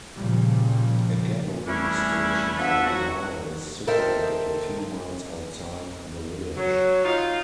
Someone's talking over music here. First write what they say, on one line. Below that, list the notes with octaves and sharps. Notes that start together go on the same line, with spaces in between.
A gathering station for the oil is situated a few miles outside the village.
A#2 C#3 F3 G3
E3 G3 A3 C#4 D4 E4
F3 B3 D4 A4 B4 E5
F#3 F#4
A4 A#4 C5 D#5 E5 G5
F#3 C#5
D#4 F4